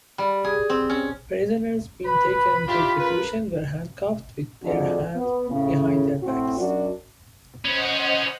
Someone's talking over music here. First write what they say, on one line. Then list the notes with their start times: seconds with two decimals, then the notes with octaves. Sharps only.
Prisoners being taken to execution were handcuffed with their hands behind their backs.
0.18 G3
0.44 G#4
0.70 C4
0.90 C#4
2.05 B4 B5
2.68 D4 E4 F4 G4
2.99 C#3 A#4 B4
4.62 F2 G#2 D3 D4 F#4
5.15 B3
5.49 A2 C#3
6.23 A2 C4 F#4
6.58 F#2 D4 F#4
7.65 C#4 B4 C5 D#5 F#5